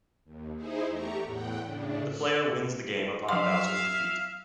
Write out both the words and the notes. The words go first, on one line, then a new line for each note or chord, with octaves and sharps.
The player wins the game upon Bowser's defeat.
D#2
D#4 E4 G#4 C5
E2 A3 G4 A#5 C#6
E2 A2 F#5 G5
A2 C#3 D4
F#3 E5 F5 C6